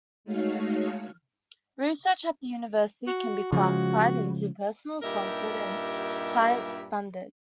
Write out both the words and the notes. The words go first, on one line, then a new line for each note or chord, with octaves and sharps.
Research at the university can be classified into personal, sponsored, and client-funded.
G#3 A3 D#4 F#4 C#5 F5
F#4
C#3 F3 G#3 F#4
G2 A#2 D#4 G4 A#4 E5